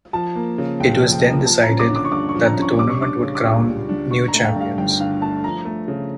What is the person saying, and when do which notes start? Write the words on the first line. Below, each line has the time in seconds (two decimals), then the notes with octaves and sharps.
It was then decided than the tournament would crown new champions.
0.13 F3 A5
0.35 A#3
0.58 C#3
0.80 C#2 G5
1.01 F3
1.12 G5
1.24 A#3
1.46 F3 A5
1.63 A#5
1.69 C#4
1.79 D6
1.90 D3
1.96 D6
2.05 C#6
2.12 G2 D6
2.29 C#6
2.35 F3
2.46 A#5
2.56 C#4
2.62 C#6
2.78 G3 D6
2.90 C#6
3.01 D4 D6
3.23 C#3
3.35 D6
3.45 C#2 C#6
3.67 G3
3.89 D4
4.11 D3 C#6
4.28 A#5
4.34 A3
4.39 G5
4.44 F5
4.56 G2 F5
4.78 G1 G5
4.90 G5
5.00 D3 F5
5.21 A3 A5
5.44 F3 A#5
5.65 A3
5.88 C#3